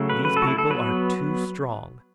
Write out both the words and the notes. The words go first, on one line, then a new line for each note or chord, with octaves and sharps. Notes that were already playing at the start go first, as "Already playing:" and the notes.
These people are too strong.
Already playing: C#3 F#3 A3
B4
B4
A4
F#4
E4
A4
F#3 B3 B4